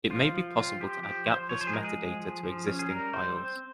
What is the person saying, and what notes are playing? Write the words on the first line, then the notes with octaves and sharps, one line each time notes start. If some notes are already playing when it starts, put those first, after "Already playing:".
It may be possible to add gapless metadata to existing files.
F3 F4
F3
C4 F4
F3 G4
F3 G4
F3 C5
F3 C#5
C5
G#4
G#3 A#4
G#4
F3
F3
F3
C#4
G#4
G3 A#4
G3 C5
C4